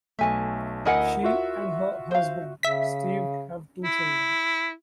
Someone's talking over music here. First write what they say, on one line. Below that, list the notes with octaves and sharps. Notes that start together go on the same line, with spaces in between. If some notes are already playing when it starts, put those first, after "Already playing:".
She and her husband Steve have two children.
B1 A3 E5 G#5 A5
D2 E4 A#4 D#5 F#5 G#5
F4 F#4 E5
C5 F5
C#3 E5 B6
E4